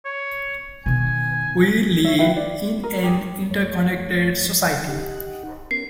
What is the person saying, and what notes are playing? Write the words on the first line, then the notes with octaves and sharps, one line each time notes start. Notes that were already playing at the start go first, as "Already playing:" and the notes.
We live in an interconnected society.
C#5
B2 D#3 G#5
C#5 E5
F4 B4 E5 G5
D5
A#4
G4 G#4
F#2 A3 C#5
D#4 G4 F#5
B3 C#4 A#4 C7